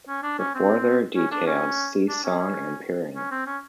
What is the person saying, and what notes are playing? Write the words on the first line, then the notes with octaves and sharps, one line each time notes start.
For further details see Song and Perrig.
C#4
D4
C#4
C4
C#4
D4
C#4
D4
C#4
C#4
C#4
C4
C#4